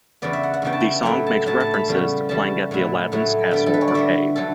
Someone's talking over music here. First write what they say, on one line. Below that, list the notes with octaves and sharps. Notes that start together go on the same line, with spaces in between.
The song makes references to playing at the Aladdin's Castle arcade.
E2 C#3 E3 B3 D5
E5
F#5
F#5
E2 C#3 E3 B3 G5
A5
G5
A2 F#3 A3 E4 G5
A5
A2 F#3 A3 E4 A5
A5
B5
E2 C#3 G3 B3
E2 C#3 G3 B3 A5
A2 F#3 A3 E4
A2 F#3 A3 E4
D3 G3 B3 G5
A4
B4
C#5
D5
D3 G3 B3 E5
D3 F#3 A4